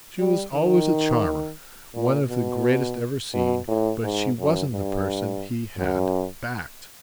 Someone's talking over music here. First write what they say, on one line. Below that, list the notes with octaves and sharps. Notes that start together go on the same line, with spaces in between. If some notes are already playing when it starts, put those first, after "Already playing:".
She was always a charmer, one of the greatest ever seen, but she wasn't the person he had "backed."
G3
D#3
A#2
B2
B2
A2
G#2
F#2
G2
F#2